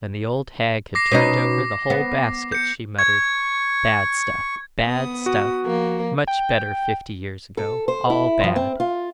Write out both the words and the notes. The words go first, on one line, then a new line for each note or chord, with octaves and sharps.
When the old hag had turned over the whole basket she muttered, 'Bad stuff, bad stuff; much better fifty years ago--all bad.'
D6 A#6 C7
B2 C#4 D#4
B3
G6 C#7
C#6 G#6
B3 D#6
F#4
F3 A#3
G5
A4
C5
E4
F3
C4
F4